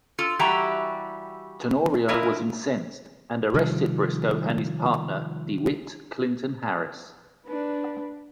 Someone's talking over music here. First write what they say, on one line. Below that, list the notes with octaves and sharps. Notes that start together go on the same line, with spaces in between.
Tenorio was incensed and arrested Briscoe and his partner DeWitt Clinton Harris.
F4 A4
E3 G3 E4 F#4 G4 A#5
E3 D4 E4 F4 A#4 D#5
C3 D#3 F3 G3
D4 B4